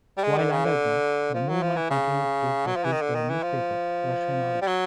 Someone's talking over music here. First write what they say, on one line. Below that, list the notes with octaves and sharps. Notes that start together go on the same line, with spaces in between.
While underground, the movement continued to publish their newspaper "Russian order".
G3
G#3
D3
C#3
D3
F3
F#3
F3
E3
C#3
F#3
F3
E3
D#3
D3
D#3
E3
F3
G3
F#3